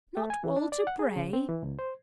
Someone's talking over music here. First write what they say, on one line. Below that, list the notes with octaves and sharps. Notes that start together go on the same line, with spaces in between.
'Not Walter Bray!
A3
G#5
E3
D4
D5
F#5
G#4
C#3
C4
E3
C#2
C5